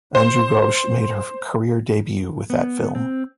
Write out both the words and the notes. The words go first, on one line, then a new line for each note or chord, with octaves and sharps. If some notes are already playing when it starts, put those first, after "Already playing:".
Anju Ghosh made her career debut with that film.
C5
B3
C4